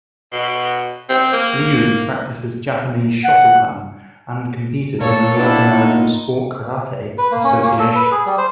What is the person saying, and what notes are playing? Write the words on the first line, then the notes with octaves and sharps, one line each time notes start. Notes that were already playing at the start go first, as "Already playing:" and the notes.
Liu practices Japanese Shotokan and competed in the North American Sport Karate Association.
B2
C4
A#3
F#5
A#2 A4 C#5
A3 B3 D4 E4 F4
D#4
B4
A#3
C#4
A#3
A4
B4
G#4
G3
C5